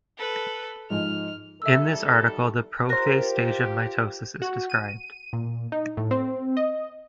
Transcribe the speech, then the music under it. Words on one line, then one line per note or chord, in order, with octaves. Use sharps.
In this article the prophase stage of mitosis is described.
A4 B4
G#2 F3 G#3 F6
D#3 G3 A4 E5 E6
F4 G4 A#4 C5 F#6 A#6
F#4
D#7
A#2
D#4
A2
C4
D#5